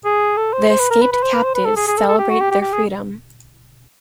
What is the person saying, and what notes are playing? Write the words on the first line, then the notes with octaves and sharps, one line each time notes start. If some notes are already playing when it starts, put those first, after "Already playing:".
The escaped captives celebrate their freedom.
G#4
A4
C5
C5
B4
A#4
B4
B4
C5
B4
C5
B4
A4
G#4
G#4
A4
A4
G4
F#4
G4
G4
G4
G#4